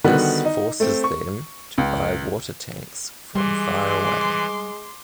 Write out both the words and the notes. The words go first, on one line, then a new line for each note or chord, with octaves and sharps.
This forces them to buy water tanks from far away.
D3 D#3 G3 B3 F#4
D#4
A3 C4
C#6
C#2
E3 G3 G#3 C6 D6